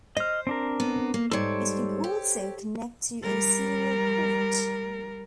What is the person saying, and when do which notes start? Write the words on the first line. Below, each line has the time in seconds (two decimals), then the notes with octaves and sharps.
It can also connect to a serial port.
0.17 C5 D#5 F6
0.47 C4 D4 A#4
0.80 B3
1.14 A#3
1.31 G#2 G3 A4 C5 C#5
2.04 G4
3.22 G3 A#4